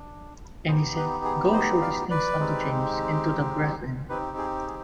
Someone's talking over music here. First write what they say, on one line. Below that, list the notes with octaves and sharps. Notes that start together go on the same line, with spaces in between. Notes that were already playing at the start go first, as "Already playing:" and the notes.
And he said, Go show these things unto James, and to the brethren.
Already playing: D4
B3 D#4 G4 G#4 C5
B4
G#4
C5 D#5
D5 F5
B4 D5
G#3 C4 D#4 G4
C4 D#4 G4 B4
G#4
G#4